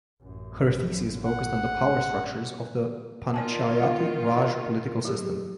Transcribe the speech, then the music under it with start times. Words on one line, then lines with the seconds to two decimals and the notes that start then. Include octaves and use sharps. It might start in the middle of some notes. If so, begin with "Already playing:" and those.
Her thesis focused on the power structures of the Panchayati raj political system.
0.22 A1 F#2
1.24 F#5
3.34 D#3 F4 D5 G#5 A5
3.81 G3 F5 F#5
5.05 F#3 G4 G#4